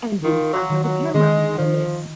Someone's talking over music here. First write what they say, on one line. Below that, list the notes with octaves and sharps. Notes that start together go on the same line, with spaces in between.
And in front of a camera, no less!
D#3 F4
F#3
D#3
F#3
D#3 G#3
D#3 F3